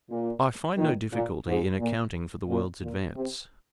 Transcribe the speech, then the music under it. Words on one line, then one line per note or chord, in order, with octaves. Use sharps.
I find no difficulty in accounting for the world's advance.
A#2
A#2 D#3
A#2
G#2
A#2
A#2
A#2
C3